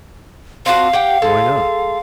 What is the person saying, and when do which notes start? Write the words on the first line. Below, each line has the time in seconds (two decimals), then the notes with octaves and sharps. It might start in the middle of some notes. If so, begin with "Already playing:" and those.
"Why not?"
0.66 C4 D4 F#4 F5
0.93 G4 F#5 G5
1.22 G#3 A4